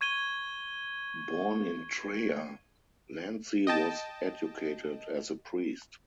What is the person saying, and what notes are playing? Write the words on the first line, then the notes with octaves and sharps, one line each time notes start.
Born in Treia, Lanzi was educated as a priest.
C#6 G#6 D#7 G7
D#5 G5 A5